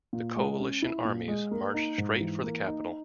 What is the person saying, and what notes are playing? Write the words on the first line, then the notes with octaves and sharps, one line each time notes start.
The Coalition armies marched straight for the capital.
A#2
G#3
C#4
E4
A#2
G#3
A#3
D#4
G#2
E3
A#3
D#4